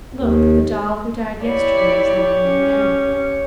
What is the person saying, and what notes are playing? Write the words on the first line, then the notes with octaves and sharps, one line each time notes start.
Look, the doll who died yesterday is now being married....
D#2
E4 G4 C#5 D5
C#4